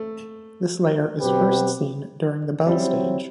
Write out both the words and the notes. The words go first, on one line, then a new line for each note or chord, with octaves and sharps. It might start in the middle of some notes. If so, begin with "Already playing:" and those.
This layer is first seen during the bell stage.
Already playing: A3
B2 F#3 C4 G4 B4
F#3 G3 C4 E4